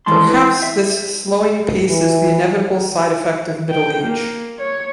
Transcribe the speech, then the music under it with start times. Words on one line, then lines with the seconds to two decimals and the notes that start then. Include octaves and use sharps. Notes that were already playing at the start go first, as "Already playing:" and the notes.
Perhaps this slowing pace is the inevitable side effect of middle age.
0.06 D#2 E3 G#3 A5 C6
0.28 E4 B4
0.62 E5
1.89 E3
3.70 G5
4.04 A#3
4.59 C#5